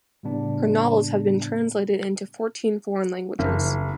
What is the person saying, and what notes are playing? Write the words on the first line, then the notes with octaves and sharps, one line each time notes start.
Her novels have been translated into fourteen foreign languages.
A2 C#3 G3 B3 D4
F#1